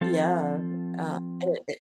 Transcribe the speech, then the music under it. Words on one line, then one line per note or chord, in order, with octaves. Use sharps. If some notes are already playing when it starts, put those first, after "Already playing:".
yeah, uh, it it
F3 C4 F4 A4